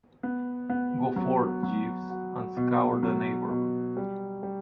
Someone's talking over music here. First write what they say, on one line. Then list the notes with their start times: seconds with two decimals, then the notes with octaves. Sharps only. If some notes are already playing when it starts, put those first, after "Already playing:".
Go forth, Jeeves, and scour the neighbourhood.
0.23 B3
0.70 B3
1.16 F#3
1.63 F#3
2.10 F#4
2.57 B2
3.03 F#3
3.50 B2
3.97 G3
4.43 G3